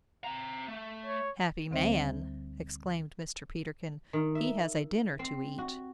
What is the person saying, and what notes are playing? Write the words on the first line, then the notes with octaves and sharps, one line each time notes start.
"Happy man," exclaimed Mr. Peterkin, "he has a dinner to eat!"
C4 A#5
A3
C#5
D2 D3 G3 C4 C5 E5
D#3
E5
C4
F#4